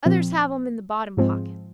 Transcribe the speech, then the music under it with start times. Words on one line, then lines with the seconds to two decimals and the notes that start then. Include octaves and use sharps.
Others have 'em in the bottom pocket.
0.06 A#2 F3 C4
1.17 G#2 F3 G#3 C4